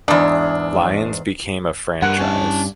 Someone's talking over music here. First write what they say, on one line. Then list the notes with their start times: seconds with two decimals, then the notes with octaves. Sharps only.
Lions became a franchise.
0.08 E2 G#2 D4
2.02 G2 A#4 C5 F#5
2.18 C#4 A5